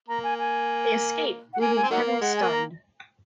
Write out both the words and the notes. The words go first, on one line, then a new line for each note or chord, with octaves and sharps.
They escape, leaving Kevin stunned.
A#3 A#5
G#5
G#5
F#5
A#3 G#5
G#5
C4
D#3 F#3 A#3 F#5
F5
G#3 F#5
G#5
A#3
A#5